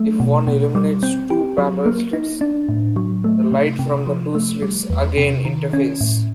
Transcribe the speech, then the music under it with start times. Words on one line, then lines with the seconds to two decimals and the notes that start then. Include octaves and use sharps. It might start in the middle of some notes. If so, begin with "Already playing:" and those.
If one illuminates "two" parallel slits, the light from the two slits again interferes.
Already playing: F#3 A3
0.20 B2
0.47 B2
0.75 G3
1.03 C4
1.30 G4
1.58 F#3
1.86 A#3
2.13 D#4
2.41 D4
2.69 A2
2.96 F#3
3.24 A3
3.52 C3
3.79 C3
4.07 F3
4.35 A3
4.62 G3
4.90 E2
5.18 C3
5.45 D#3
5.73 C#4
6.01 A2